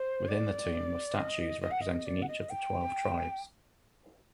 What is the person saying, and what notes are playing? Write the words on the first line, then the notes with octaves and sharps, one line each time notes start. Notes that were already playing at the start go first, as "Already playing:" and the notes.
Within the Tomb were statues representing each of the Twelve Tribes.
Already playing: C5
D5
D#5
D#5
F#5
D#5
D5
F#5
D#5
G5